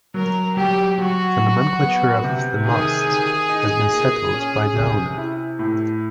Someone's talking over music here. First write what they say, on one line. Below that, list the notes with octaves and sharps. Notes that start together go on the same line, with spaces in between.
The nomenclature of the masts has been settled by the owner.
F#3 A#4
F#3 G4
F#3 F#4
F#3
B3
C3
D#3 G#4
D#3
D#4
A#2
C#4
C3
E4
A2